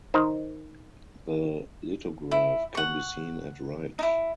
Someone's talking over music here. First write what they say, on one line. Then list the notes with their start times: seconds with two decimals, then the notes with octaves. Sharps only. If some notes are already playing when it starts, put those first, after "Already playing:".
The lithograph can be seen at right.
0.14 D#3 D#4 C5
2.31 E4
2.75 F#5 C#6
3.99 D#4 E4